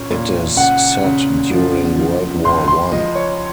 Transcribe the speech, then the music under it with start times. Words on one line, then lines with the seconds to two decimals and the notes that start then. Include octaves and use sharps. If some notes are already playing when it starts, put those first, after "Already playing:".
It is set during World War One.
Already playing: A#2 C#4
0.10 A#2
0.56 C#3 F#5
1.04 C#3
1.51 F3
1.98 F3
2.44 C#2 C6
2.68 C6
2.91 F3 D#5
3.15 C#5